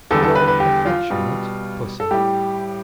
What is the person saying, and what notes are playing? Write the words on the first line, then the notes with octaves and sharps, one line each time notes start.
Your affectionate Pussy.
E2 D3 G3 A4
A4
B4
B4
G4
F4
B2 G3
A4
A2 G3 G4